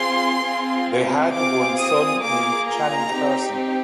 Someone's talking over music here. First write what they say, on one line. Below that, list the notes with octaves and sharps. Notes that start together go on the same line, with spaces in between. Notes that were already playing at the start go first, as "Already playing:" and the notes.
They had one son named Channing Carson.
Already playing: C4 F4 G#4 C6
C4 F4 G#4
C4 F4 G#4 D6
D#6
A#3 F4 G#4 D6
A#5
C4 D#4 G4